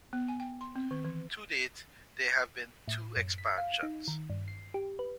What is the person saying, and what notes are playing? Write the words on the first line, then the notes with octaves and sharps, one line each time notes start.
To date, there have been two expansions.
B3
G#5
G5
C6
C4
D#3
E3
A2
F#2
B6
F5
D#4
D#3
G2
C7
G4
B4